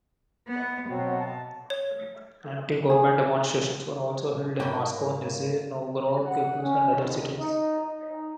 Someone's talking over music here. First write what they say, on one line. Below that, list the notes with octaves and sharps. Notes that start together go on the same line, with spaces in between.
Anti-government demonstrations were also held in Moscow, Nizhny Novgorod, Krasnoyarsk, and other cities.
B3
B2 F#3 C4 F#4
A5
C#5
G#4
G#2 B2 A#3 E4 G4 C#5
F#5
C#4
D#2
D#4
D#4